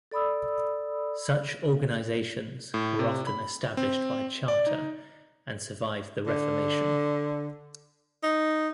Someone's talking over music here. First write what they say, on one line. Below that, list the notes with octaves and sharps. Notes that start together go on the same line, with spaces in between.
Such organisations were often established by Charter and survived the Reformation.
A4 D5 B5 D#6 E6
A2
C3
B5
C4
D5
D#4
D3
D#4